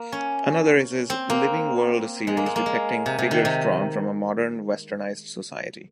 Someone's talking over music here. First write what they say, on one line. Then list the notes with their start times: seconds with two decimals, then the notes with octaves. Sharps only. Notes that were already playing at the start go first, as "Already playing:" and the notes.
Another is his "Living World" series, depicting figures drawn from a modern, westernized society.
Already playing: A#3
0.12 C#4
1.10 C4
1.30 A#3
2.27 G#3
2.37 A#3
2.46 G#3
2.56 A#3
2.66 G#3
3.06 C3
3.18 C3
3.31 D#3
3.45 C3